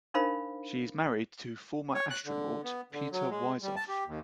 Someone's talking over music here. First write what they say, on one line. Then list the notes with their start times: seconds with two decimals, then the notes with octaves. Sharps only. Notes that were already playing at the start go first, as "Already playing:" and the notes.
She is married to former astronaut Peter Wisoff.
0.14 D4 D#4 A#4 C5 F5 B5
1.95 C#5
2.10 F#6
2.25 D3
2.64 B3
2.92 D3
3.12 F#3
3.30 G#3
3.62 G3
3.76 A5
3.88 G4
4.07 D#2